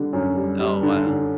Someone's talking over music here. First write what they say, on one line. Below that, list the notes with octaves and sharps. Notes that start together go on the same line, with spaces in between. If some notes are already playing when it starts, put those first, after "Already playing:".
Oh wow,
Already playing: D3 G3
F#2
G3
G3
D3
D3